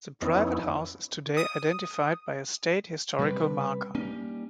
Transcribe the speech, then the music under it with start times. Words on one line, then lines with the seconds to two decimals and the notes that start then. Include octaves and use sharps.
The private house is today identified by a state historical marker.
0.22 F2 B3 C#4 D#4 E4
1.37 D#6
3.19 C3 G3 C#4 G4 B4
3.95 G3 A#3 C#4 D#4